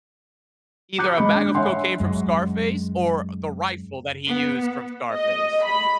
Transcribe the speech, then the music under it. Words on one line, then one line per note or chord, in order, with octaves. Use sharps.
either a bag of cocaine from Scarface or the rifle that he used from Scarface.
D6 F#6 G6 C#7
G#3 D#5 B5
D4
C#5 E5 F#5 G#5 C6
F#2 G#3
B3
D#5
B5